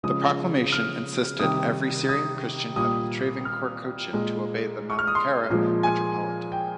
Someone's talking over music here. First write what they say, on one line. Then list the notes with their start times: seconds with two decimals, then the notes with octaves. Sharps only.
The proclamation insisted every Syrian Christian of Travancore-Cochin to obey the Malankara Metropolitan.
0.03 C#3 F3 G#3 D#6
0.72 F6
1.39 C3 D#3 G3 D#6
2.09 D#6
2.76 A#2 G3 D#6
3.45 F6
4.13 A#2 G#3
4.90 C#6
4.99 F6
5.07 D#6
5.15 C6
5.50 A#2 F3 G#3
5.83 G#5
6.52 G5